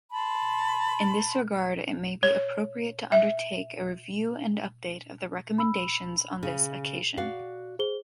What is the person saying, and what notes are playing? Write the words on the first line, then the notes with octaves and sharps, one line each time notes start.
In this regard, it may be appropriate to undertake a review and update of the recommendations on this occasion.
A5 B5 C6
C#5
E5
B5 E6
C#3
F#4 D5 F5
G#4 C5 G7